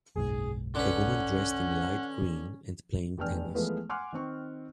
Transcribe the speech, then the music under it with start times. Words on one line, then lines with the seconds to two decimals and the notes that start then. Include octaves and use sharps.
A woman dressed in light green and playing tennis.
0.15 F#1 B1 G#2 G#4
0.75 D3 C#4 B4 F#5
3.18 F1 E2 D4 G5 G#5 F6
3.55 E3 F3 G#3 A3 B3 B4
3.89 F#5 G#5 C6 D6 F6 F#6
4.12 D#3 C4 C#6